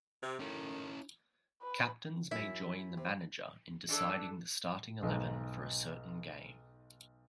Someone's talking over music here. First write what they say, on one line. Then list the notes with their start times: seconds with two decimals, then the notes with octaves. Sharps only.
Captains may join the manager in deciding the starting eleven for a certain game.
0.23 C3
0.40 F#2 A2 D#3 C#4 E4
1.62 B4
2.31 F#2 E4 E5 B5
2.98 C3
3.89 E3 D4 A4
5.03 B1 G#2